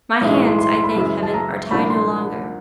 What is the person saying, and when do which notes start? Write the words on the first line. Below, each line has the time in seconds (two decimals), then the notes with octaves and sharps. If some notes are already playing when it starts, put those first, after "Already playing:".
My hands, I thank Heaven, are tied no longer.
0.21 B1 A2 E3 G#3 D#6
0.34 C#6
0.47 C6
0.59 C6
0.71 C6
0.84 B5
0.97 F#2 C#3 E3 G#3
1.23 A5
1.34 A#5
1.71 C2 A#2 F3 A#3 D4 B5
1.90 C6